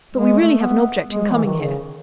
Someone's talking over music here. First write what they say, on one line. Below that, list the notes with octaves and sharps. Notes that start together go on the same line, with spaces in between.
But we really have an object in coming here.
G#3
A3
B3
G#3
E3
C#3
D#3
C#3